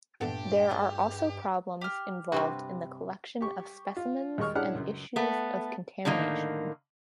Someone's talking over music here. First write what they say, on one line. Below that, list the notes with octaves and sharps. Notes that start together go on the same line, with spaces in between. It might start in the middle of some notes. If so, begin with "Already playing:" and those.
There are also problems involved in the collection of specimens and issues of contamination.
G2 A#2 B3 D4 G4 A4 E5
F#4 G#4 D5
G4 F6
G2 C3 G3 C4 F#4 B4
G4 C#6
F4
D#2 G#3 D#5 C#6 F6
C#4 D4 E4 G#4 F#5 F6
C#2 F#2
A3 B3
A2 D3 D#3 A#3